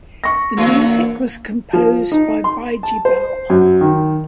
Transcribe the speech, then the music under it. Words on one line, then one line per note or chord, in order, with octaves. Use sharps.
The music was composed by Bijibal.
C#6 A#6
D3 E3 F#3 A#3
F3
D#4
C6
A5
C5
F#2
D#3